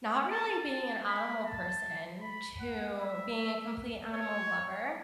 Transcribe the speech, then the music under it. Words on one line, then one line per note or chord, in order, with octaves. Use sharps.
not really being an animal person to being a complete animal lover.
A5
A5
B5
A5
B5
F#5
E5
C#5